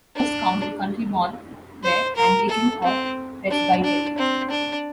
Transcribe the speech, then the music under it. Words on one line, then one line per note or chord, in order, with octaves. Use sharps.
Most Countryborn were Anglican or Presbyterian.
D4
C5
A#4
A4
C4
D4
D4
C4
D4